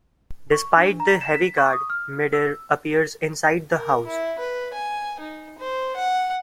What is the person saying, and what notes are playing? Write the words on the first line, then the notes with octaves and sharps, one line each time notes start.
Despite the heavy guard, Midir appears inside the house.
C#6
D4
A#5
E7
B6
C#6
D#6
F6
E6
A#4
E4
B4
G#5
D#4
C5
F#5